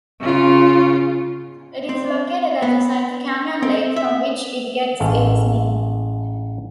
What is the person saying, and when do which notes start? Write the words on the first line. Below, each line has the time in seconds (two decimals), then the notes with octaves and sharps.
It is located adjacent to Canyon Lake, from which it gets its name.
0.20 C#3 F4
1.89 C4
2.62 B3
3.63 C4
3.96 E5
5.00 A1 G#3 A4 F5